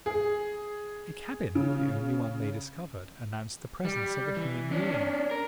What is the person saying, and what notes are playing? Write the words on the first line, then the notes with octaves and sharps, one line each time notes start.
A cabin, the only one they discovered, announced the presence of a human being.
G#4
C#3
G3
E3
C#4 D4
A#4